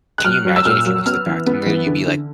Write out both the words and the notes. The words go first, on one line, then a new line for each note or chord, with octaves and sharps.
can you imagine if you went to the bathroom there, you'd be, like,
F#6
F#3 F6
F#3
E6
A#2 F6
F#3
B3 F6
E3
B3
E3
D3
D3